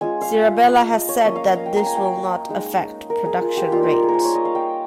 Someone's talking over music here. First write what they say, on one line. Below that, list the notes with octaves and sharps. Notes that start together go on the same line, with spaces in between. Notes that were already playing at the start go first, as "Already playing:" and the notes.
Sirabella has said that this will not affect production rates.
G#3 C#4 F4 G#5
F5
D#5
C#5
A#3 C#4 F4 D#5
F5
D#5
F5
G5
A#5
G#5
G5
D#5
G#3 D#4
A#4
G#4
F4
G4
G3 A#3 D#4 F4
G4
A#4
G#4
A#4
C5
C#5
D#5
F5
G5